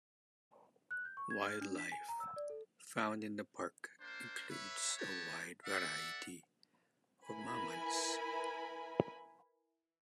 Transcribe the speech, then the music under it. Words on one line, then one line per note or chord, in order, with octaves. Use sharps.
Wildlife found in the park includes a wide variety of mammals.
F#6
G6
C#6
G#6
F6
D4
B6
G#5
A#5
E6
D5
A4
A#3 D4 C5
B4 C#5 E5
B3 G4 C#5 A5
A4 D5 E5 F#5
E4 A#4 B4 G#5 B5